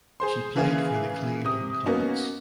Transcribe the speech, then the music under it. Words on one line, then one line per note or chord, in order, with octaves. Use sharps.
She played for the Cleveland Comets.
G#4 C5 C6
C#3 E3 A#3 G#4 F5 G#6
C3 D#6
A#3 B3 C#4 D#4 F#4